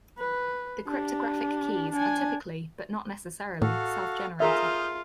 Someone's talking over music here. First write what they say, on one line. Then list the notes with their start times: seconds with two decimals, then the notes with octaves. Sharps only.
The cryptographic keys are typically, but not necessarily, self-generated.
0.19 B4
0.87 D4 G4
1.92 D4 G#5
3.62 A2 F#4 A4 F5
4.40 F4 G#4 A#4 E5 D#6 F6 G6